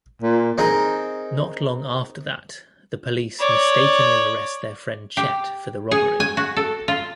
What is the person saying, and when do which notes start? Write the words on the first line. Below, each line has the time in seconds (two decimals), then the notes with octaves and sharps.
Not long after that, the police mistakenly arrest their friend Chet for the robbery.
0.22 A#2
0.58 C4 D#4 G#4 A#4
3.39 C#5 D5
5.17 G4
5.91 G#4
6.20 G#5
6.37 F#4
6.56 A4
6.88 F4